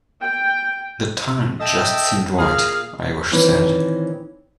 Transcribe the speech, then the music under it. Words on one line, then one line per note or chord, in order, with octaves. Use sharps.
"The time just seemed right," Irish said.
G5
A4 D#5 E5 G5
A#2 G#4 F5
A#2 D#3 E3 C4 C#4